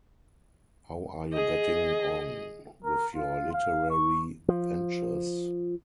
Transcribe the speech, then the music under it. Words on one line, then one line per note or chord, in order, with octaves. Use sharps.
How are you getting on with your literary ventures?
G#4 D#5
A#4
F4
F5
C#6
F3